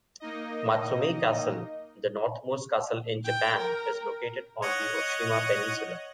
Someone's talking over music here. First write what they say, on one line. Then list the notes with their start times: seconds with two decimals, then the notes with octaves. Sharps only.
Matsumae Castle, the northernmost castle in Japan, is located on the Oshima peninsula.
0.20 A#3 D#4 D#5
3.25 G5
3.58 A#4
4.62 C#5 D#5 F#5